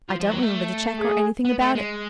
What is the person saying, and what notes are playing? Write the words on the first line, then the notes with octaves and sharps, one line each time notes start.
I don't remember the cheque or anything about it.
F3
F3
F#3
A3
G#4
B3
A3
G#3